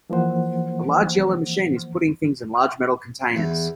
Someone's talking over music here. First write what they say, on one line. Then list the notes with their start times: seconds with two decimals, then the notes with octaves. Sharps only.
A large yellow machine is putting things in large metal containers.
0.10 E3 F3 A#3 C5 F#5
3.36 E2